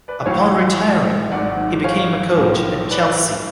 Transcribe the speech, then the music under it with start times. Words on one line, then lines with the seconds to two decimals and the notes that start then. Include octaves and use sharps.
Upon retiring he became a coach at Chelsea.
0.08 B4 D5
0.26 A1 A2 F#3 C#5 F5
1.31 G#1 G#2 F#3 D5 F#5
1.84 C#5 F5
2.37 B1 A2 F3
2.91 B4 D5